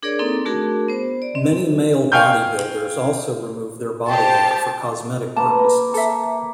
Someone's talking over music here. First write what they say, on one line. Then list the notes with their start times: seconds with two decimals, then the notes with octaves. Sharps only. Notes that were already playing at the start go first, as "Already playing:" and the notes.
Many male bodybuilders also remove their body hair for cosmetic purposes.
0.03 D4 G#4 A#4 C#5 D5 D6
0.19 A#3 C4 D#4 A4
0.45 A3 D4 F#4 G#4 A#4
0.88 B3 C5
1.22 D5
1.35 C4 D#5
2.12 F5 G5 G#5 C#6 F6 G6
4.08 G4 C5 G5 A5
5.36 A#3 B4 A5
5.59 A#5
5.94 A4 E5